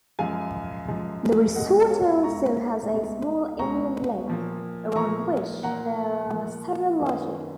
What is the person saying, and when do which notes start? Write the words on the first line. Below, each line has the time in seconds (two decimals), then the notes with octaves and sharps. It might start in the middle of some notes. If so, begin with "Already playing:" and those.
The resort also has a small inland lake, around which there are several lodges.
0.19 F#2 F3 G#3 F5 G#5
0.87 F#2 F3 G#3
1.55 C#2 B2 G#3 D#5 F#5
1.89 C#5 F5
2.23 C#2 B2 G#3 A#5 C#6
2.91 C#2 B2 G#3
3.59 C#2 B2 G#3 A#5 C#6
4.28 A#2 F3 A#3
4.96 A#2 F3 A#3 A#5 C#6
5.63 A#2 F3 A#3 F#5 A#5
6.32 A#2 F3 A#3
7.00 F#2 D#3 A#3 C#4 G#4 B4